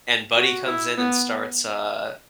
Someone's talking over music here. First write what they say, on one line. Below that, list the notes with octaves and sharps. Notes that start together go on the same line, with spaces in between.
and Buddy comes in and starts, uh
F#4
E4
B3